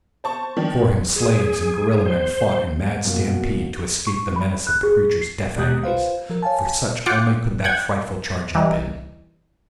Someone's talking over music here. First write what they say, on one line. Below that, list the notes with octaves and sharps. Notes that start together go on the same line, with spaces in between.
Before him slaves and gorilla-men fought in mad stampede to escape the menace of the creature's death agonies, for such only could that frightful charge have been.
C5 A5 C#6
D#3 F3 D4
G#4
C5
F#2 B2 F#3 A#3 F4 F#4
C#6
B5
F#6
G#4
C7
B2 G#3 G4 D#6 F#6 G6
F4 B4 C5 F5
F3 A#4
C#5 F5 G#5 A5
F4 F#5 G5 D6 C#7
F#5 G5 G#6
E3 G3 D#4